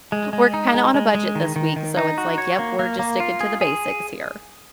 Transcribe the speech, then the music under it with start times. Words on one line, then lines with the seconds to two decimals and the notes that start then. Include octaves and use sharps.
we're kinda on a budget this week, so it's like, yep, we're just sticking to the basics here.
0.12 G#3
0.33 G#3
0.54 D#4
0.74 G#3
0.94 G#3
1.15 G#3
1.35 D#3
1.56 D#3
1.76 D#3
1.97 D#4
2.18 F#4
2.38 C#5
2.59 A#3
2.79 A#3
2.99 A#3
3.20 F4
3.40 G#4
3.61 G#4